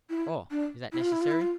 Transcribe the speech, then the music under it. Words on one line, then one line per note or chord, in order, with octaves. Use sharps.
"Oh, is that necessary?"
E4
D4
E4
F4
E4
F4
E4
F4